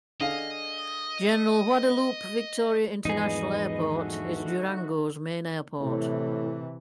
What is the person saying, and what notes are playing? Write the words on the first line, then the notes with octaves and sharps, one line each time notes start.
General Guadalupe Victoria International Airport is Durango's main airport.
D3 G#4 D#5 F5
E2 G#2 F3 D#4 G#4 B4 D#5
D3 A3 F#4
A2 C3 E3